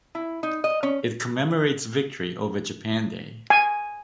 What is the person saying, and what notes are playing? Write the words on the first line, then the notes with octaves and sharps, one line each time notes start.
It commemorates Victory over Japan Day.
E4
D#4
D#5
C#4
G#5